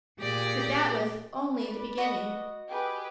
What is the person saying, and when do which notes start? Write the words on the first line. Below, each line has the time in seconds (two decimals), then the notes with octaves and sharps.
But that was only the beginning.
0.20 A#2 G4 G#4 D5 A#6
1.52 B4 D5
1.98 F#4 D#5
2.69 G4 G#4 B4